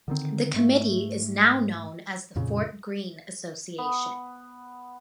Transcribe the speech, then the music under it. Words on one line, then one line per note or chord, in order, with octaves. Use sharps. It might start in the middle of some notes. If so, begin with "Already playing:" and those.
The Committee is now known as the Fort Greene Association.
D3 D#3 C4
G#2 A3
F2 A#2 C#3
B3